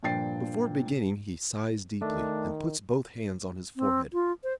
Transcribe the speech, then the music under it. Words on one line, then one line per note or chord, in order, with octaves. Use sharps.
Before beginning, he sighs deeply and puts both hands on his forehead.
G2 A#2 F3 G5 A6 C7
D#3 A3 D4
C4
F4
C5